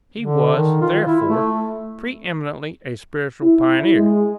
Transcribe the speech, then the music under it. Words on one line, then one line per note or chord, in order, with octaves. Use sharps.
He was, therefore, pre-eminently a spiritual pioneer.
D3
D#3
F4
E4
A3
E4
G#3